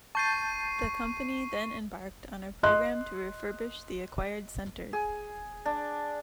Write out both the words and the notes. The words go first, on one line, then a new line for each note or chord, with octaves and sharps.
The company then embarked on a program to refurbish the acquired centres.
A5 C#6 G6 A6 C7 D#7
D#5 C6 F#6
G#4
D4